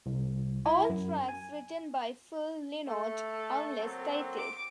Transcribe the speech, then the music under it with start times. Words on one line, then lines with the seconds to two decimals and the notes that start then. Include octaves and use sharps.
All tracks written by Phil Lynott unless stated.
0.06 C2
0.66 E4
0.90 F#2
1.29 G#5
2.87 A3 A4
3.79 F#3 A#3 C4
4.37 D6